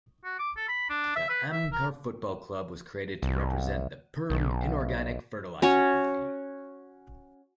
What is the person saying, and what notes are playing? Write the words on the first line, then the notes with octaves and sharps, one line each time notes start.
The Amkar football club was created to represent the Perm Inorganic Fertilizer Company.
F#4
D6
A4
B5
D4
E5
B4
E5
A#4
C2
B1
C#4 F#4 C#5